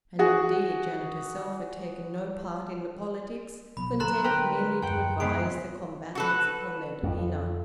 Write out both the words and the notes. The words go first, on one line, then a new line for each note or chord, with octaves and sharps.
And indeed Janet herself had taken no part in the politics, content merely to advise the combatants upon their demeanour.
F#4 G#4
A#1 B2 F#3 B5
D3 F#3 A4 A#5 C6 F#6
A#4 B4 G5
D#1 F#2 F#5 G5
G#3 B3 C4 D7
F#4 A4 B4
F2